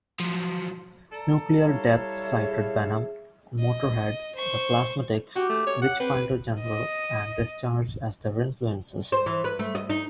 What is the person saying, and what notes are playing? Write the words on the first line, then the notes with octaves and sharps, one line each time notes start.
Nuclear Death cited Venom, Motorhead, The Plasmatics, Witchfinder General, and Discharge as their influences.
F3 F#3
A4 D5 A#5
G3 E4 C#5 F5
G#4 E5
D#5
C5 C#6
F#4 G4
A3
C#5
F#5
C4 B4
D#5
C5
E3
B4
A3
D#5
D#4